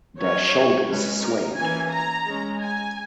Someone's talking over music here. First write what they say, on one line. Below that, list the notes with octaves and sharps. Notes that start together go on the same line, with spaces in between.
Their shoulders swayed.
F#3 C#4 C#5
G#3 C#4 B4
A#4
E3 A#3 C#4 G#5
A#5
G#3 C#4
G#5